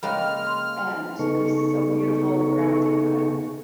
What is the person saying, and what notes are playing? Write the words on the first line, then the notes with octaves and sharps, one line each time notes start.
and it was so beautiful and grounding that
C#3 G#3 A#3 F5 G5 B5 F6
C6
C#3 B3 D#4 G#4 A4 C#6